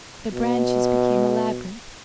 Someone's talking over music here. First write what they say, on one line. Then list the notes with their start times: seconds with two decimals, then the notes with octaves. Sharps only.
The branches became a labyrinth.
0.33 B2